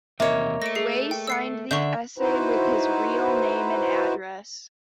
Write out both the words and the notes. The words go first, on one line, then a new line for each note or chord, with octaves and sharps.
Wei signed the essay with his real name and address.
E2 C3 D#3 A#3 C#5 D#5 E5
A3 A#6 D7
G#4 C7
G5
E6 C7 C#7
D3 E5 C#6 G6
D#4 E4 F#4 B4 C5